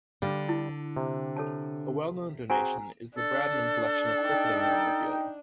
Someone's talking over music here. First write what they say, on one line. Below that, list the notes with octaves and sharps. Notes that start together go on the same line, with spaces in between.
A well known donation is the Bradman Collection of cricketing memorabilia.
D3 G3 F5
E4
C3
A4 C#5 A5
C4 F#4 G#4 G#5 A#5
D4 A4
D#4 G5